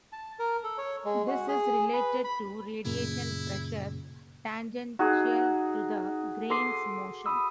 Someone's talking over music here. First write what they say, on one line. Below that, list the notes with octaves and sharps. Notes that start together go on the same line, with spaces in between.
This is related to radiation pressure tangential to the grain's motion.
A5
A#4
A4
C#5
G#3
F#4
G#4
B4
B5
F#2 A#2 C#3 E4
D#4 F#4 G#4 F#5
A4 C6 D6 D#6 C7
B5 D#6 E6